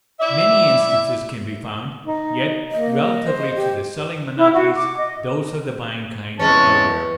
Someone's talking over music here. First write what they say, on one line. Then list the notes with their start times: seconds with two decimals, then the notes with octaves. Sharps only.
Many instances can be found, yet, relatively to the selling monopolies, those of the buying kind are rare.
0.20 E4 D5 E5
2.06 D#4
2.72 A#3 D#5
2.99 D#5
3.26 C5
3.56 G4
4.38 E4
4.54 F#4
4.75 D6
4.97 D#5
6.40 E2 C3 G#3 C#4 B4 A5